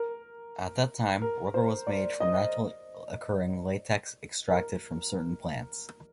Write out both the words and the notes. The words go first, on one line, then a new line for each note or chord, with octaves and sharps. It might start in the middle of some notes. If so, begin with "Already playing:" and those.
At that time rubber was made from naturally occurring latex extracted from certain plants.
Already playing: A#4
A#4
C5
D5
D#5
A#4